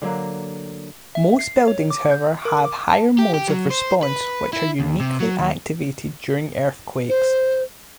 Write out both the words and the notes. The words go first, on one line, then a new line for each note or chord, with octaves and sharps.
Most buildings, however, have higher modes of response, which are uniquely activated during earthquakes.
D3 F#3 A#3
E5
C7
C#5
D6
G6
A#4
D6
A5
G4
G4
F#3
C5
B4
E4
D#2
C3
F#3
D#2
C5